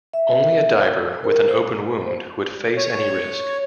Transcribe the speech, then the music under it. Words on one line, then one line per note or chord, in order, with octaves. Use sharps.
Only a diver with an open wound would face any risk.
E5
C5
A#4
C5
C#5